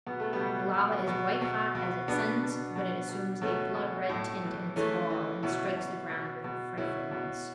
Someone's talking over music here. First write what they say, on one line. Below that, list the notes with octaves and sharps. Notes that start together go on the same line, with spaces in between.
The lava is white hot as it ascends, but it assumes a blood-red tint in its fall, and strikes the ground with a frightful noise.
B2 B3
A3
G3 B3
B2
B2
B2
B2
B2
B2 B3 D4
B2
B2
B2
B2 A3 C#4
B2
A2
E3
E3 A3 C#4
E3
B2 C#4 E4
B2
B2
B2
B2 C#4 E4
B2